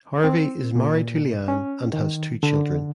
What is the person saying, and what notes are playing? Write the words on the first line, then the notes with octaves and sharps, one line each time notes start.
Harvey is married to Leanne and has two children.
C4
A#2
C#4
D#3
D3